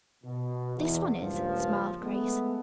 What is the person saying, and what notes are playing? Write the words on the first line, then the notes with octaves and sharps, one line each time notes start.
"This one is," smiled Grace.
B2
E2
C#2 G2 A#2 C#3 F3
G#3 A3 B3